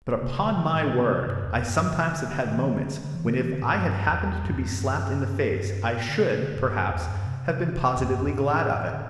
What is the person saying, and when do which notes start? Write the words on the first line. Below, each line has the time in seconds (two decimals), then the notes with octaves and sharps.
But upon my word I sometimes have had moments when if I had happened to be slapped in the face I should, perhaps, have been positively glad of it.
0.22 C3
0.39 D3
0.57 D3
0.74 A2
0.92 C3
1.27 G2
1.45 E2
1.62 G2
1.87 D3
1.98 C3
2.09 D3
2.33 D3
2.44 D3
2.56 E3
2.68 D3
3.04 D3
3.15 E3
3.27 D3
3.39 E3
3.50 D3
3.62 A2
3.73 G2
4.09 E2
4.43 G2
4.56 E2
4.67 G2
4.80 G2
4.96 G2
5.97 A2
6.09 D3
6.20 C3
6.38 D3
6.56 G2
6.73 G2
6.91 E2
7.08 G2
7.26 C3
7.96 E2
8.08 G2
8.20 E2
8.31 A2
8.92 D3